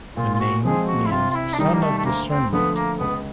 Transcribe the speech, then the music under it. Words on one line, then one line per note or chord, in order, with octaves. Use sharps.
The name means "Sun of Discernment".
A#2 F4
F4
F#4
F3 G#3 C4 G#4
F#4
E4
C3 F4
F4
E4
D4
D#3 G3 D#4
A#3
A3
A3
D2 A#3
C4
D3 F3 A3 B3
A#3
C#2 B3